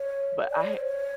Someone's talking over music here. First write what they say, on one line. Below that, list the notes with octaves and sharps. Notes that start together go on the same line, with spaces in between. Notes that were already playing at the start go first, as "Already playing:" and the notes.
but I ha
Already playing: C#5
D5
C#5
C5
C#5